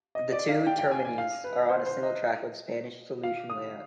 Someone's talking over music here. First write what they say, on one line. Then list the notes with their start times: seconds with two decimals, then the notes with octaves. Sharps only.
The two terminis are on a single track with a Spanish solution layout.
0.15 D#5
0.32 D5
0.49 F5
0.67 G5
0.79 G5
0.92 G#5
1.05 G#5
1.18 F5
1.44 B4
1.69 C5
1.86 C5
2.03 D#5
3.23 F5
3.50 D#6